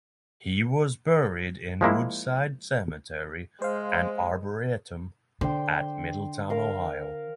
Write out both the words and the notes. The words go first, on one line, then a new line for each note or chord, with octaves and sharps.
He was buried in Woodside Cemetery and Arboretum at Middletown, Ohio.
F3 G#3 A#3 E4
G#3 C5 F5
D3 C5 G5
A#4 F5